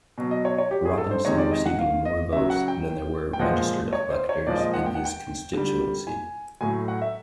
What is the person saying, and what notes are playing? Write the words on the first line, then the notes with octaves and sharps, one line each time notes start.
Robinson receiving more votes than there were registered electors in his constituency.
B2 F#3
D#5
C#5
C#5
G4
G#4
A4
C5
C3 D#3 G#3 C#5
D5
D#5
F#5
F5
D#5
C#3 F#3 E5
F#5
G5
G5
A#2 F3 G#3 F#5
C#5
C5
C#5
A#2 F3 G#3 D5
D#5
F#5
G5
F#5
G5
D3 G3
G#5
A2 F#3 G#5
F#5
E5